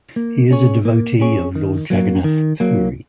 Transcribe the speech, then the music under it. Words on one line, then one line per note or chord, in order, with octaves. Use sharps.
He is a devotee of Lord Jagannath, Puri.
A#3
C#4 G#4 C#5
A#3
C#4 G#4 C#5
D#3
F#3 A#3
D#3
F#3 A#3